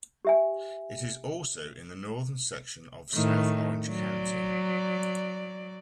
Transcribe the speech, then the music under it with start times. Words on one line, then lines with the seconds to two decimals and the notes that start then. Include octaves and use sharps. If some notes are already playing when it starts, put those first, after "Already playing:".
It is also in the northern section of South Orange County.
0.25 G4 E5 G#5
3.12 A2 D#3 A3
3.89 F#3 D5